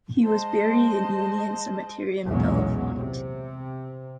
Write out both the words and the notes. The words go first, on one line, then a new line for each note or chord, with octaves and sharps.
He was buried in Union Cemetery in Bellefonte.
G#3 C5 D#5 A5
B1 E2 A#2 C#3 F#3 G#3
C3